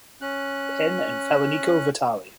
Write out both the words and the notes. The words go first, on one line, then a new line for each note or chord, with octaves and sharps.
Penn and Falaniko Vitale.
C#4 F#6